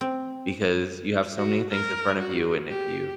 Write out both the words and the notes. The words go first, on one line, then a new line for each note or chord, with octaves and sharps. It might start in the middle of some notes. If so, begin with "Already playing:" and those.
because you have so many things in front of you. and if you
C4
F#4
A#4
F#4
G4